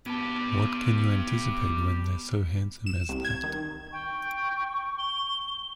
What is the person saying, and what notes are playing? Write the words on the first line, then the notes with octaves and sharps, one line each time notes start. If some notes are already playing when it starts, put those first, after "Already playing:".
What can you anticipate when they're so handsome as that?
B3 G4 B4 A5
E7
C2
G#6
D#3
G5 C#6
G7